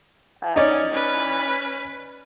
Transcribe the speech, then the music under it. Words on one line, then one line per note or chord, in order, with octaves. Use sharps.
um, and they had,
C#4 D#4 C#5 D5
C#4 B4